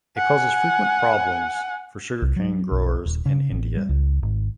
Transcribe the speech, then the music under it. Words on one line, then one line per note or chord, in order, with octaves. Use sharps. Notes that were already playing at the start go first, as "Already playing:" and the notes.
It causes frequent problems for sugarcane growers in India.
F#5 G#5
C2
F#3
B1
D#1
C#3
A1
G3
C#2
G#1